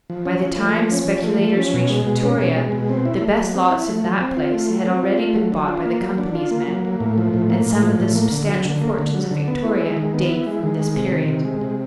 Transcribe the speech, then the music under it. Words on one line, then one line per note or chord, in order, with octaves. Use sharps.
By the time speculators reached Victoria the best lots in that place had already been bought by the company's men; and some of the substantial fortunes of Victoria date from this period.
F3
C#4
F3
A3
F3
C#4
F3
A3
F3
C#4
B2
G#3
B2
C#4
B2
G#3
B2
C4
E4
A3
F#3
C4
E4
A3
F#3
C4
F4
A3
F#3
C4
F4
A3
F#3
D4
F4
A#3
F#3
D4
F4
A#3
F#3
A#3
A2
F3
A2
A#3
A2
F3
A2
A#3
D3
F#3
D3
A#3
D3
F#3
D3
B3
E4
G#3
D#3
B3
E4
G#3
D#3
G#3
C3
D#3
C3
G#3
C3